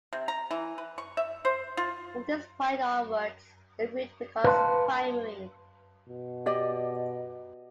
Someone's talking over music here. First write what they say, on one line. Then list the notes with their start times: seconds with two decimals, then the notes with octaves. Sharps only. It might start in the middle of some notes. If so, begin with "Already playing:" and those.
From this point onwards, the route becomes Primary.
0.13 C3
0.28 A#5
0.51 E3
0.78 B4
0.98 C#6
1.17 E5
1.45 C5
1.77 F4
4.44 B4 F5 A5 C6
6.09 B2
6.46 G4 D5 D#5